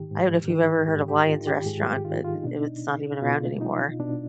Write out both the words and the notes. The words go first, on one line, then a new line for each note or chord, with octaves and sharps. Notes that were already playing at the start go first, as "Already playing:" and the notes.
I don't know if you've ever heard of Lyons Restaurant, but it was not even around anymore.
Already playing: G#2 D#3 G4
G#2
D#3
G#2 G4
G4
D#3 F4
G4
G#2 G#4
G4
D#3 F4
F4
D#4
B2 D4
D#4
B2 F4
D#4
B2 D4